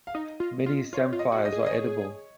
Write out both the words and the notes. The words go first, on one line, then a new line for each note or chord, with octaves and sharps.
Many samphires are edible.
F5
D#4 D#5
F4
F4
F4 C#5
F4
D#5
F#4
D#5
G#4
D#5
C#5